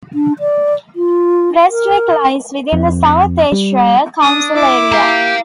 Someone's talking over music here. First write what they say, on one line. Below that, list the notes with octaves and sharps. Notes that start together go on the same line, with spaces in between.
Prestwick lies within the South Ayrshire Council area.
D4
D5
F4
A#4
F2
G3
D4 D#6
E4 D6
G4 F5 A#5